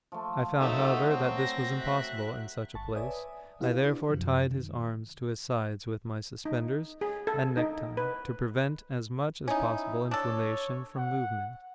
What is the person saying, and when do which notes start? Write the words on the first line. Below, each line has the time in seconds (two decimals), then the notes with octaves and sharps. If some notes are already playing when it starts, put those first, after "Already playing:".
I found, however, that this was impossible in such a place. I therefore tied his arms to his sides with my suspenders and necktie, to prevent as much as possible inflammation from movement.
0.12 F3 A3
0.61 F#3 D#4 F#4 A4 E5
1.10 C4
1.38 A#6
1.76 E5 F#6
2.75 G1 A5 C#6
2.96 B4 C#5 D5 E5 G#5 D#6
3.61 C4 E4 G4 B4 F5
3.79 D4 D5
4.10 F#2 C3 F3
4.51 D#3
6.45 D#4
7.01 G#4
7.27 A4
7.57 D#4
7.97 B4
9.48 C#4 D#4 E4
10.11 D4 A4 C#5
10.97 F#5